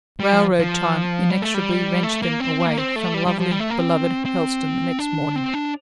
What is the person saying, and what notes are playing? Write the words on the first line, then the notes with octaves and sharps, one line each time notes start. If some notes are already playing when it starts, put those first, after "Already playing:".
Railroad time inexorably wrenched them away from lovely, beloved Helstone, the next morning.
G3
F3
F3
G3
A3
G3
A3
A#3
C4
A#3
C4
A3
G3
G3
F3
G3
A3
A#3
C4
C4
D4
C4
D4